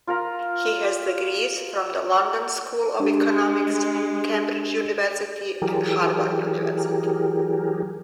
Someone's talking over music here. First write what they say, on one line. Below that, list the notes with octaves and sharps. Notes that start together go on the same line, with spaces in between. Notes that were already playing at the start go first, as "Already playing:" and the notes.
He has degrees from the London School of Economics, Cambridge University and Harvard University.
F4 A#4 A#5
G#3 D4 G4
E3 F#3 G4 G#4 A#4